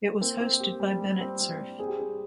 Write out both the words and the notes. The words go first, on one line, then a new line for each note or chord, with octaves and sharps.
It was hosted by Bennett Cerf.
A#3 C4
C4
G4
G3
G3
C4
G3
G3
C4 G#4
G4
C4 G#4